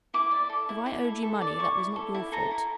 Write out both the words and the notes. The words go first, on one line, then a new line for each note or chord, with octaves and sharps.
If I owed you money, that was not your fault.
E4 D6
D5
A4
E4
E4
A4
A4
D5
E4 C#6
E4
A4
E4
A4 A#5
E4